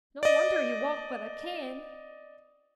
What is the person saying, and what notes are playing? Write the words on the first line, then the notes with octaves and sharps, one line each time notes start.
No wonder he walked with a cane!
D5 D#5